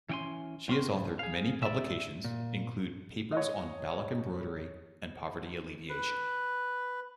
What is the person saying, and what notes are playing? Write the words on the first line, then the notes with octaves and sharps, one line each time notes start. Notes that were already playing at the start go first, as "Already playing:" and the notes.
She has authored many publications include Papers on Baloch Embroidery and Poverty alleviation.
E3 C#4 G5 G#5 C6
E2 C4 F#4 A#4 C6
F#2
G#4 F5
D5 E5
A#2
C#5 D#5
B4